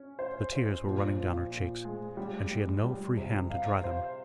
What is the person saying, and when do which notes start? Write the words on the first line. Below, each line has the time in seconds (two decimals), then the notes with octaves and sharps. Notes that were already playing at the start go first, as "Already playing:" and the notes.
The tears were running down her cheeks, and she had no free hand to dry them.
Already playing: C#4
0.19 C5
0.52 C5
0.84 A#2
1.18 F3
1.51 A#2
1.85 G#3
2.17 G3
2.51 G3
2.85 G3
3.17 C3
3.50 F5
3.84 C5